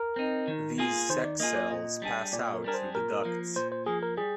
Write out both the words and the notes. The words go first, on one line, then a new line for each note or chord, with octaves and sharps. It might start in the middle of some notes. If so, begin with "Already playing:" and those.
These sex cells pass out through the ducts.
Already playing: A#4
C4 D#4
D#3
A#3 F4 G#4
D#3 C5
D5
A#3 F4 G#4 D#5
D5
A#2 D#5
G3 D4 G#4
A#2 D5
A#4
G3 D4 G#4 A#4
C5
A#2 A#4
F3 A#3
A#2 C5
C5
F3 A#3 G#4
A#4
G3 G#4